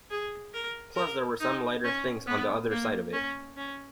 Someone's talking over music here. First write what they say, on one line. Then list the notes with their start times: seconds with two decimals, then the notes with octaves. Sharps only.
Plus there were some lighter things on the other side of it.
0.10 G#4
0.54 A#4
0.96 A#4
1.40 D#4
1.84 C#4
2.27 B3
2.70 A#3
3.13 C#4
3.57 C#4